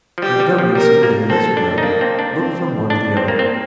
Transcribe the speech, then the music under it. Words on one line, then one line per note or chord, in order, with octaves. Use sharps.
Montgomery seated in the midst of them, looked from one to the other.
F3
G3 G4
G3
F3
G3 A#4
A#3
C4 A4
D4
D#4
A#3 D4
C4
D4
C4
D4
C4
A#3
C4